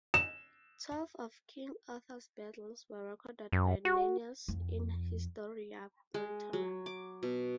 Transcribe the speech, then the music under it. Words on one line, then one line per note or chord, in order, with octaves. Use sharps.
Twelve of King Arthur's battles were recorded by Nennius in "Historia Brittonum".
E7
F#2
F#4
F2
G#3
F#3
D6
B2